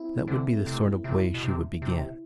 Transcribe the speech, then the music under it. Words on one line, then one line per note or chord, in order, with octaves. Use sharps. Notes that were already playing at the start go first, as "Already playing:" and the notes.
That would be the sort of way she would begin.
Already playing: C4 E4
D3 C4
A3
C3
A3
B3
C3 E4
B2
C3
C3